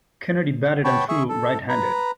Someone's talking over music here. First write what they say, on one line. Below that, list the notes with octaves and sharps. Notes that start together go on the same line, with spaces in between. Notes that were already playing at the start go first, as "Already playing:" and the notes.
Kennedy batted and threw right-handed.
B3 C#5 G5 A5 B5 C#6
G#4 E5 C#6
A4
B4 A#5